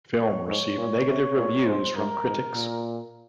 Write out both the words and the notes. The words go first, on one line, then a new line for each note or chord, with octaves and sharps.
Film received negative reviews from critics.
C#5
G#2 C#5
A#2
C3
A#2
G#2 C5
G2 A#4
G#2
A#2